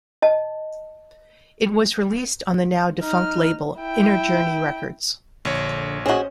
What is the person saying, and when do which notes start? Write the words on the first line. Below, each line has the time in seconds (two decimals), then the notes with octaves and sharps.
It was released on the now defunct label 'Inner Journey Records'.
0.22 D#5 A5
3.01 D#4 F6
3.80 E4 G5
5.45 A#1 D3 C#5
6.06 C#4 F#4 G#4 C5 D#5